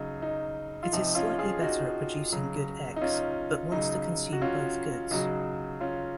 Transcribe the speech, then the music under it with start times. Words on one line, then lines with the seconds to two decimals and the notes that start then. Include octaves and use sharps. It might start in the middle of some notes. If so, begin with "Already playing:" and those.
It is slightly better at producing good X, but wants to consume both goods.
Already playing: C#3 F#3 D#4
0.22 D#4
0.83 F4
0.93 C3 F3 D#4
1.15 C#4 F4
1.39 F4 G#4
1.62 D#4 F#4
2.32 C#3 F#3
2.96 D#4
3.01 C#4 F4
3.71 C#3 F#3 D#4
4.33 F#4
4.42 C#4 F4
5.11 C#3 F#3 D#4 F#4
5.81 C#4 F4